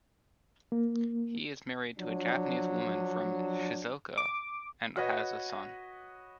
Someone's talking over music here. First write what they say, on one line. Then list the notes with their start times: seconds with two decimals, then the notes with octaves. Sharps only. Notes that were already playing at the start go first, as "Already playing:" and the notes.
He is married to a Japanese woman from Shizuoka and has a son.
0.72 A#3
1.99 F3 F#3 D4
4.18 D6
4.97 F#4 B4 C#5 D#5